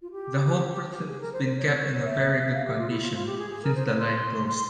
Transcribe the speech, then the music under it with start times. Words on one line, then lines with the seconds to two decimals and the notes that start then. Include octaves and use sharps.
The whole precinct has been kept in very good condition since the line closed.
0.02 F4
0.11 G4
1.08 G#4
1.21 A#4
1.33 C5
1.45 C5
1.57 C#5
2.05 E5
2.54 F5
2.66 G4
2.78 F4
2.90 E4
3.02 F4
3.14 F4
3.26 G4
3.39 G#4
3.50 G#4
3.63 A#4
3.75 C5
3.87 C#5
3.99 C6
4.48 C6